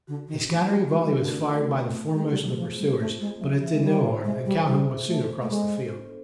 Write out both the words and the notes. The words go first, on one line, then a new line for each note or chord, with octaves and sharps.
A scattering volley was fired by the foremost of the pursuers, but it did no harm, and Calhoun was soon across the field.
D3 F#4
D#3 C#4
E3 A3
F#3
G3 F#4
G#3 F#4
G3
A#4
D3
A3
A3
C4
C4
G#3 G#4
G3
G#4
F#3
F3 C5
G3 G#4
A3 F4
G#3 C4
F#3 E5
F3 E5
G#3
G3 C5
C5
G#3 G#4
G3 G#4
G3 C5
C5
A3 A4
A4
A3
G#3 B3
A4
D4